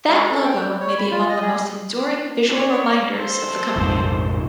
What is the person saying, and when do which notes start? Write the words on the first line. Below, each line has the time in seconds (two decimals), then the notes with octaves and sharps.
That logo may be among the most enduring visual reminders of the company.
0.09 G#3
0.31 A4
0.45 G5
0.64 G3
0.80 C#5
0.98 B5
1.11 F4
1.29 D#5
1.42 G#4
2.48 C#5 D5
3.11 A4 C5
3.76 F1 A#1 G#2